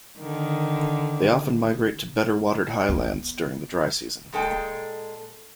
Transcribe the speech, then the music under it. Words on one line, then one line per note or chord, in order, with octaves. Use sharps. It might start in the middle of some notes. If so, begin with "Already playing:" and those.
They often migrate to better watered highlands during the dry season.
D3 D#3
B3
A#2 G#3 A4 G5